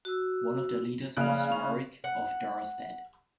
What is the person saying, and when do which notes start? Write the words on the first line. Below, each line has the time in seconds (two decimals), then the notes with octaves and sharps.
One of their leaders was Rorik of Dorestad.
0.05 F#4 E6
1.17 A#1 C#3 D5 F5 F#6
1.52 C#4
2.04 F#5